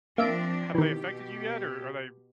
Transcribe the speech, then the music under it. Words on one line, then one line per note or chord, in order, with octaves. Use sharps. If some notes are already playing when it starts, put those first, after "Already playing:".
have they affected you yet, or are they
F3 A#3 C4 D4 E5 D7
B2 D#3 E3 G4